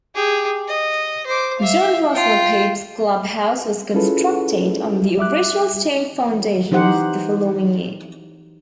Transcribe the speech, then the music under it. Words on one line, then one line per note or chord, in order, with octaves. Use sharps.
John Russell Pope's clubhouse was constructed on the original stone foundations the following year.
G4 G#4
D#5
C5 D6
E5 F5
F4 G5
C#4 E4 F4 G#4 A4 B4
G3 E5 D6 F#6
E3 D#4 G4 C5 F#5